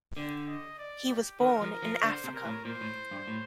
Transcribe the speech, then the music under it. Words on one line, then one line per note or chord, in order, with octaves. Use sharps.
He was born in Africa.
D3 G4
D#5
D5
G4
D#3 A#4
F3
A#4
F3
D3 C5
C3
A#4
A2
A#2 C5
A2
G2
A2